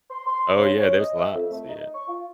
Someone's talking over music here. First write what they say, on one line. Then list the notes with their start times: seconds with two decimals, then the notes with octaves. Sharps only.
Oh, yeah, there's lots, yes.
0.11 C6
0.25 C6
0.55 C#3
0.79 C#4
0.96 D#5
1.18 E5
1.34 F2
1.52 A3
1.68 D#4
1.94 C#6
2.08 F4